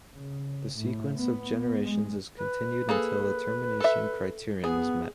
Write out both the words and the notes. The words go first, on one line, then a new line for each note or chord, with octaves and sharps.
The sequence of generations is continued until a termination criterion is met.
C#3
A2
B3
G#3
B4
A#3 G#4 A4
A4 E5
B3 G#4